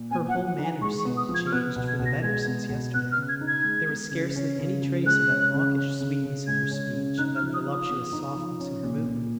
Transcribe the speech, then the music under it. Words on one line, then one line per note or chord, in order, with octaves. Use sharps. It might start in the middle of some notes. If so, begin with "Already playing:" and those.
Her whole manner seemed changed for the better since yesterday, there was scarcely any trace of that mawkish sweetness in her speech, of that voluptuous softness in her movements.
Already playing: A#2
B3 G#5
F#5
F3
F#5
D#4
G#5
G#3 C#6
C#6
B3
D#6
F3
G#6
F6
B3 F#6
B2
G#6
B2
A#6
G#3 G#6
B3
B2
B3 F#6
F6
C#3
G#6
D#4
G#6
G#3
B3
C#3
C#4
C#3
C#3
G#3 F#6
C#4
C#3
C#4
C#3
C#3
G#3 G#6
C#4
C#3
D#4 F#6
F6
F3
D#6
F3
D#6
B3
D#4
F3
C#4
A#2
A#2